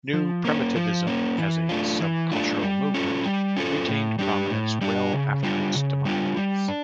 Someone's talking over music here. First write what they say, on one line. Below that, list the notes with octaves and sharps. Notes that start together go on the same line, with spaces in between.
New Primitivism as a sub-cultural movement retained prominence well after its demise.
F3
A#3 C#4
F3
A#3 C#4
E3
A3 D4 F4
E3
A3 D4 F4
G3
C#4 F4 A4
G3
C#4 F4 A4
A2
G3 D4 G4
A2
G3 D4 G4
C#3
G3 D4 F4
C#3
G3 D4 F4
G3
D4